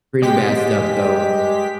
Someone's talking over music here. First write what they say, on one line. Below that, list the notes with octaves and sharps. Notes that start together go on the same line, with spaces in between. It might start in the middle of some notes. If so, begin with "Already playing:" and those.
Pretty bad stuff, so,
G#3 G4 B6